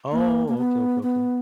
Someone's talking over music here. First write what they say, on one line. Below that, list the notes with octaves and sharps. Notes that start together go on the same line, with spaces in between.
Oh, okay, okay, okay.
A#3
A#3
B3
B3